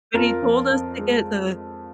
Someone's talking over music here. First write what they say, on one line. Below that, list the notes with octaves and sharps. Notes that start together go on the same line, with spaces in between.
but he told us to get the
F2 F4 A#4
F3
F2
G#3